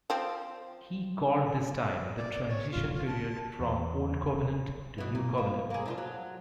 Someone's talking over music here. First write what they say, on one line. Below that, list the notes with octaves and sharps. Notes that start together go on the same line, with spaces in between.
He called this time "the transition period" from Old Covenant to New Covenant.
F3 C4
D5
C#5
F4
F4
A5
E2
B2 E3
A#2
F3
A#3 G#4
D4 D#4 F4
F#3